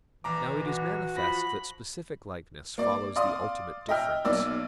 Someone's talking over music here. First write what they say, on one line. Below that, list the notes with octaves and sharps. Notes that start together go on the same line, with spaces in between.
Now it is manifest that specific likeness follows the ultimate difference.
A#1 E3 A#5 D6
F#4
F3 B5 A#6
A#3 D5 D6
D5 F5 C6 D#6
D#5 E5 G5 F6
B1 A#3 D5 E6